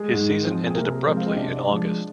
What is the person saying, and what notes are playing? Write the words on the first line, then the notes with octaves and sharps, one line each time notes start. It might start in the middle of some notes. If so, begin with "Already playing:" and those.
His season ended abruptly in August.
Already playing: G#3 G#4
G#2
F3 C4
G#4
C3 A#3 A#4
F3 G#3 C4 C5
F5
D#5
C3 D4 D5
F3 G#3